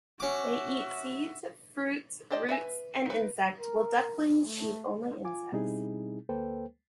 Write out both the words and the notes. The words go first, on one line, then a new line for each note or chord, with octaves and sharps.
They eat seeds, fruits, roots and insect, while ducklings eat only insects.
C#4 F#4 E5 D6
D4 G4 C5 D5 D#5
B4 E5 G#5
D#4 B4
A#4
A3
F4 G#5 D6
B2 G3 C4 D#4 E4 G#4
D2 A#3 A4 B4 C5 G5